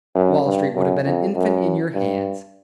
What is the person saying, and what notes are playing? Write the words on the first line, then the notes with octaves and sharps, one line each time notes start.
"Wall Street would have been an infant in your hands."
F#2
G2
F#2
F2
F#2
G2